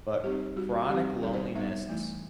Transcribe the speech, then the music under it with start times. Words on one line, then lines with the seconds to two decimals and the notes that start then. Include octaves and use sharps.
But chronic loneliness
0.23 G3 C4 D#4 G4
0.56 G3 D#4 F#4
0.89 G3 C4 D#4 G4
1.22 D#3 G3 D#4 A4
1.33 C5
1.55 G3 B3 D#4 E5
1.88 E3 A3 E4